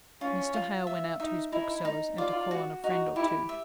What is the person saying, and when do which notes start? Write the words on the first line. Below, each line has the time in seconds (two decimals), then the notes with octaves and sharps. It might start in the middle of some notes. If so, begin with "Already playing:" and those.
Mr. Hale went out to his bookseller's, and to call on a friend or two.
0.21 C#4 F4
0.54 F4
0.87 E5
1.20 D#4 E5
1.52 D#4 E4
1.85 D#4
2.18 F4 D5
2.51 F#4
2.84 D#4 F#4
3.16 E4 G4
3.49 E5